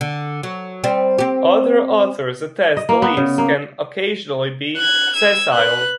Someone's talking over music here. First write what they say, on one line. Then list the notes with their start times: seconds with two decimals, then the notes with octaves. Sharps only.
Other authors attest the leaves can occasionally be sessile.
0.01 D3
0.43 F#3
0.84 G3 C4
1.19 C4 G4
2.77 D#5
2.89 A#3
3.02 B3
3.17 C#3
3.38 A#3
4.77 F#6 G#6
5.14 E6 G#6
5.53 B4 F#6